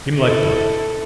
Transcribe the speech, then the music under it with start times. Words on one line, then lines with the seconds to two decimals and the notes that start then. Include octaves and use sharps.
Heem like blood.
0.18 E4 A4